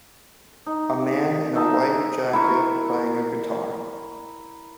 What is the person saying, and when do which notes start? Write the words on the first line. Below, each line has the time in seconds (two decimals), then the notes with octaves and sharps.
A man in a white jacket playing a guitar.
0.66 D#4
1.55 D#4 D#5 E5 A5
2.33 E4 A#4 C#6